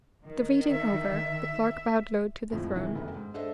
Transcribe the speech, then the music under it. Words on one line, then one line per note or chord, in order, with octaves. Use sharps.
The reading over, the Clerk bowed low to the throne.
D#3
E5
F2 A2 F3 G#3
C3 D#3 E3
F1 F#2 B3
G#2
D4 A4 C5 D#5 E5